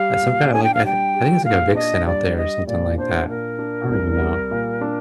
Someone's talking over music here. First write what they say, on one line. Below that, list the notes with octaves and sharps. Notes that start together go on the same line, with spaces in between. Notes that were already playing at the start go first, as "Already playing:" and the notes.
like, some kinda, like, I I think it's like a vixen out there or something like that. I don't even know.
Already playing: G3 G4 F5
A#2
D4 G#5
G5
F5
G3 G5
G4
A#2 F5
D4 D#5
G3 D5
G4 D#5
A#2 D5
D4 C5
A#2 A#4
D4
C2
G3
A#2
D4